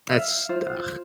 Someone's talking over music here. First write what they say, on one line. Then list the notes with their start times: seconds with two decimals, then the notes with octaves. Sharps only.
That's ugh.
0.09 E5 F5
0.49 F4 C5